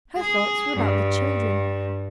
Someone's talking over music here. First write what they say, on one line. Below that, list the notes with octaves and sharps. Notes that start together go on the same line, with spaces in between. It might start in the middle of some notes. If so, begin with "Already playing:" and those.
Her thoughts were about the children.
G#4
G2